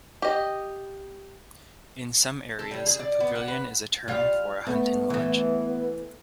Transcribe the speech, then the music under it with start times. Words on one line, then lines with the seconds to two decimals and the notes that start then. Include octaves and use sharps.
In some areas, a pavilion is a term for a hunting lodge.
0.22 G4 D#5
2.59 A4
2.71 G3
2.86 G#4
3.00 D5
3.20 B3
3.35 F#5
3.48 B4
4.08 G3 F4 F6
4.67 A3 B3
5.10 E3 A3